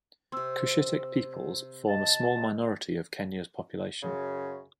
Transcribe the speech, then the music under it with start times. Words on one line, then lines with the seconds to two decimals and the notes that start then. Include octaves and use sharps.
Cushitic peoples form a small minority of Kenya's population.
0.32 C3 C4 C6 E6
1.89 D#5 A5
4.03 F#2 C#3